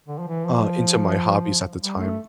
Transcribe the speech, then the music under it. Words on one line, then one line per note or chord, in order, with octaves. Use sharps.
uh, into my hobbies at the time.
D3
F3
E3
F3
G3
A3